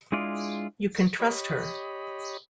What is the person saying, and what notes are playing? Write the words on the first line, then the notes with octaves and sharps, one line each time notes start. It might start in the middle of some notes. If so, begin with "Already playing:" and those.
You can trust her.
G#3 D4 E4 F4 G#4 D5
G4 C#5 D#5 B5